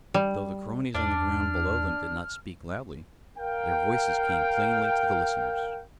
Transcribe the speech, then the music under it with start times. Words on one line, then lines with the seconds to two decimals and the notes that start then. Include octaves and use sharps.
Though the cronies on the ground below them did not speak loudly, their voices came plainly to the listeners.
0.14 G3
0.94 E2 D4 F6
3.38 A#4 F5 G5